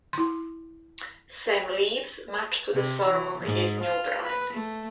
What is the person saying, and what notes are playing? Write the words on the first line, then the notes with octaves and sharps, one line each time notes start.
Sam leaves, much to the sorrow of his new bride.
E4 C6
C3
E3
G#2
F4
B4
A3